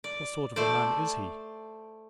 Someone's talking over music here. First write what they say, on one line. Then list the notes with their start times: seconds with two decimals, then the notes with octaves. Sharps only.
"What sort of a man is he?"
0.04 D5
0.56 A3 C5 D5